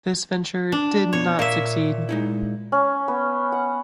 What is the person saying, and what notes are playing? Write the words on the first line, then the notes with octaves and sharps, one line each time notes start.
This venture did not succeed.
D4
F2 B2 C#5
A#2 A#4 E5 F5 A#5
G#3 D#4 E4
C#4
B3
F#5